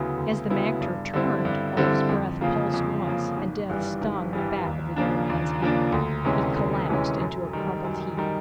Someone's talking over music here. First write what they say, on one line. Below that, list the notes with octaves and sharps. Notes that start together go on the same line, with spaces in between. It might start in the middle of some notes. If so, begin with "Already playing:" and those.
As the magter turned, Ulv's breath pulsed once and death stung the back of the other man's hand. He collapsed into a crumpled heap.
Already playing: D2 C#3 F#3 B3 E4
D2
C#3 F#3 B3 E4
G2
D3 G3 C4 E4
G2
D3 G3 C4 E4
F2
C#3 F3 A#3
F2
C#3 F3 A#3
G#1
G2 E3 G3
G#1
G2 E3 G3
D#2
C#3 F3 A#3 D4
D#2
C#3 F3 A#3 D4
D2
C3 E3 G#3 C#4
D2
C3 E3 G#3 C#4
F#2
D#3 G3
F#2
D#3 G3